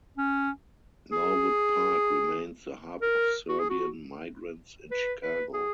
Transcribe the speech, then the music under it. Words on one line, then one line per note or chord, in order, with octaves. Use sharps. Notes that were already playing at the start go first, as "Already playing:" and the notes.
Norwood Park remains the hub of Serbian migrants in Chicago.
C#4
G#4
A#4
F#4
G#4
F#4
B4
B4
G#4